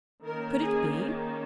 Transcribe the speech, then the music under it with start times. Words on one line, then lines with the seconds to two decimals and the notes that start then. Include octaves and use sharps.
Could it be?
0.23 D#3 A#3 C#4 A#4
0.59 G#4